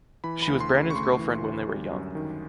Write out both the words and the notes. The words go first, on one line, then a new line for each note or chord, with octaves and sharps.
She was Brandon’s girlfriend when they were young.
E3 B5
D2 B5
C6
C#3
C#6
A3 C6
E3
D2
G3
F#2
D#3